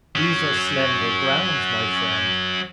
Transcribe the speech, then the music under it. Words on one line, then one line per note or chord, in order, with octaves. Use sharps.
'These are slender grounds, my friend.'
F#3 C#4